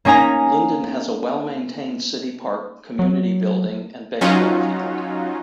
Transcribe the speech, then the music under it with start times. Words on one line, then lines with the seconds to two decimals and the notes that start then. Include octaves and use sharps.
Linden has a well maintained city park, community building, and baseball field.
0.05 A#3 C#4 D#4 G#5 A#5
2.99 F#3
4.21 F#3 C#4 D#4 F4 F#4